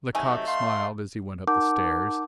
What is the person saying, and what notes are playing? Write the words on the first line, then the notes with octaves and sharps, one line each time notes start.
Lecoq smiled as he went up the stairs.
C3 F#3 A3 D#4 G#5
F5 C6
D#4 A#4 F#5 A5 D6 G6